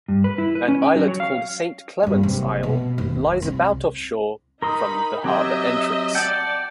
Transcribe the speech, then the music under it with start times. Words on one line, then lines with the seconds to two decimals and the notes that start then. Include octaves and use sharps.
An islet called Saint Clement's Isle lies about offshore from the harbour entrance.
0.08 G2
0.24 B4
0.38 E4
0.55 B4
0.68 C#4
0.82 G5
0.95 F#3
1.08 C#5
1.20 F5
2.03 G2 G3
2.23 F#1 C3
2.63 B2
2.98 F#1 D#2
3.42 C2
4.62 D#4 A#4 B5 C6 D#6
5.24 F#3 C4 G4 D#5 E5
6.15 D5 F#5 G5 A5